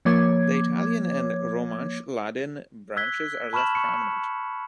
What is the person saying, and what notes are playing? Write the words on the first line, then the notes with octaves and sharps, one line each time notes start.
The Italian and Romansch-Ladin branches are less prominent.
F3 A#3 C#5 D6 G#6
E6 F#6 G#6 B6 G7
A5 B5 C#6 F6 E7 F#7
C#6 C#7